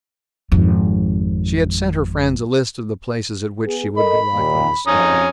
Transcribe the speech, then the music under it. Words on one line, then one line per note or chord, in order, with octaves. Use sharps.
She had sent her friends a list of the places at which she would be likely to stop.
G#1 F2
B3 G#4
A4 A#4 D#5 B5
D#2 A#2
F2 C#4 A#5 D#6